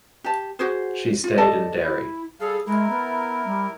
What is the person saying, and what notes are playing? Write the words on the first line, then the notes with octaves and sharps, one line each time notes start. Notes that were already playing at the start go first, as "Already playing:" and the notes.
She stayed in Derry.
G4 A5
F#4 G#4 C5
F4
A4 D5 D#5 A5
E4
G3 G#4 A4 F5
G#3 E4 A#4
B3
G3